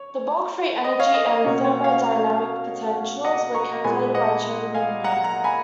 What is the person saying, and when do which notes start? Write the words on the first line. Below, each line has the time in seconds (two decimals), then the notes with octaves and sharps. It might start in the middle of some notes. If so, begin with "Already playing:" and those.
The bulk free energy and thermodynamic potentials were calculated by Chen-Ning Yang.
Already playing: C#5
0.84 D#5
0.99 C#5 F5
1.14 D#5
1.29 D#5
1.44 B2 A#3 C#4
1.64 C#5
1.84 C#5 F5
3.25 D#5 F#5
3.55 A#5 C#6
3.84 A#2 G#3 B3 G#5 B5
4.15 D#5 F#5
4.74 F5 G#5
5.04 F#5 A#5
5.24 F#5 A#5
5.44 G#5 B5